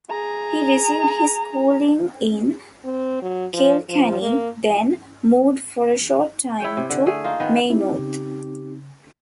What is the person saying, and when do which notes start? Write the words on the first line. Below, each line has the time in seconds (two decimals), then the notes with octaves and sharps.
He received his schooling in Kilkenny, then moved for a short time to Maynooth.
0.10 G#4 A#5
2.84 C4
3.22 F#3
3.53 F3
3.89 F3
4.21 A#3
6.60 E4 C#5 G5
6.77 C3
6.90 D3
7.06 A3 G#4
7.24 A#3 D#4 F4
7.40 D#3 B3
7.70 C4 D#4 E4 G4
7.99 C#3